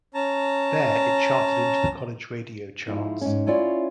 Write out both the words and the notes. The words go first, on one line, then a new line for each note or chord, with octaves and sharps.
There it charted into the college radio charts.
C#4 A5 A#5
G#2 F3 E4
G#2 C#4
C#4 E4 F4 C#5 D5